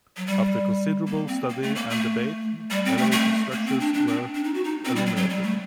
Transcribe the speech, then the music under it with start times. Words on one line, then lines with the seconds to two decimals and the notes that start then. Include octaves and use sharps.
After considerable study and debate, elevated structures were eliminated.
0.17 F#3
0.26 G3
1.07 A#3
1.27 C4
1.49 A#3
1.63 A3
1.75 A#3
1.90 A3
2.70 G3
2.85 C4
2.98 A3
3.12 A3
3.52 A#3
3.66 C4
3.80 D4
3.94 D4
4.08 C4
4.35 D4
4.44 D#4
4.54 F#4
4.64 D#4
4.85 C4
4.96 G3
5.06 F#3
5.16 F#3
5.29 G3
5.43 A3